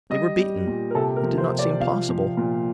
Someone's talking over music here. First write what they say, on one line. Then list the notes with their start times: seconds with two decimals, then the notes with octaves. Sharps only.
They were beaten. It did not seem possible.
0.10 G3 D#5
0.38 G3
0.67 A#2
0.90 A#4
0.95 C3 A4
1.16 A#4
1.23 F3
1.38 C5
1.52 C3
1.59 D5
1.80 F3 F5
2.09 F3
2.37 A#2